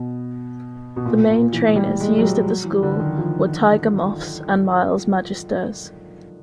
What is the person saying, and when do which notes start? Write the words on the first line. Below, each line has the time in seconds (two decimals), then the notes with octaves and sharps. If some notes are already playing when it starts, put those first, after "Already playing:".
The main trainers used at the school were Tiger Moths and Miles Magisters.
Already playing: B2
0.96 B2
1.05 A#2
1.30 A#2
1.53 E3
1.76 G3
2.00 G#3
2.18 F#3
2.23 G3
2.47 F#3
2.64 E3
2.83 D3
3.00 D#3
3.18 F3